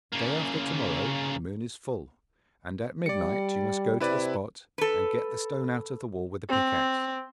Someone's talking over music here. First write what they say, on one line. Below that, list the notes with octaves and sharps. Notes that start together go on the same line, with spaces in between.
The day after to-morrow the moon is full, and at midnight you must go to the spot and get the stone out of the wall with a pickaxe.
C#3 A#3
G3 D5 C#7
C3 E4 B4 D5
A4 B4
C4